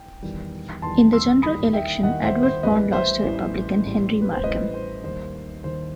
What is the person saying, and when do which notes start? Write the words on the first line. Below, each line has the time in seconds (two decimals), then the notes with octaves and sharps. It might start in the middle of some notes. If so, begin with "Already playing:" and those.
In the general election, Edward Pond lost to Republican, Henry Markham.
Already playing: G5
0.22 E2 D#3 G3
0.82 E2 D#3 G3 A5 C6
1.12 C6 E6
1.42 D#2 D#3 G3 B5 D#6
1.73 E5 G5
2.03 D#2 D#3 G3 D#5 F#5
2.23 C5 E5
2.43 C5
2.63 A1 A2 E3 G3 B4 D#5
2.93 C5 E5
3.23 A1 A2 E3 G3
3.83 A1 A2 G3
4.22 B4
4.33 C5
4.44 A1 A2 G3 B4 D#5
4.74 C5
5.04 D#2 D#3 G3 C5
5.64 D#2 D#3 G3 C5